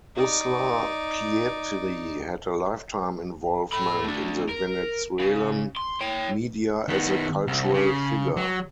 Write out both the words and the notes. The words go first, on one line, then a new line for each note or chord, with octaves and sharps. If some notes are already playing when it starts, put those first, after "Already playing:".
Uslar Pietri had a lifetime involvement in the Venezuelan media as a cultural figure.
D#4 D5
A4 B5
A3 D4
A#4
C#3
C6
C#5 G5
D#3 B3
C2
C#3
F#3